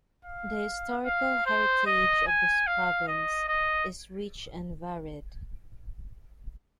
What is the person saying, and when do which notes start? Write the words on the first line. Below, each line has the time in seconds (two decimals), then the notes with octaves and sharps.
The historical heritage of this province is rich and varied.
0.25 F5
1.05 F5
1.46 C5
1.86 D#5
2.27 G#5
2.67 F5
3.08 D#5
3.48 D#5